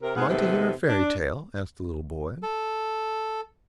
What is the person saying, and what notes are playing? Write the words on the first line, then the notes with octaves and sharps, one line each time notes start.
"Am I to hear a fairy tale?" asked the little boy.
C3 A#4
G#2 B3 G#4 F5 F#5
D#2 G#2 C3 B3 A4 B4
D4
A4